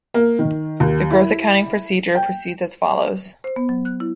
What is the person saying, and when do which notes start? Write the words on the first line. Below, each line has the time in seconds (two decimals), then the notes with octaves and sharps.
The growth accounting procedure proceeds as follows.
0.14 A#3
0.39 D#3
0.80 D#2
1.11 E4
2.15 G5
3.44 C5
3.56 B3
3.69 F#3
3.85 F#6
4.00 E4